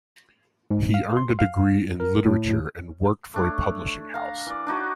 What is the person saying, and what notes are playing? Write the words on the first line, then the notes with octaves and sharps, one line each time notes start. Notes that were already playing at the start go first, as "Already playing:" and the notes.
He earned a degree in literature and worked for a publishing house.
G#2
F5
C6
F5
A#4
A2
A3 D4 C#5
F5 A#5
E3 D5
D4 D#4 F#4 C#5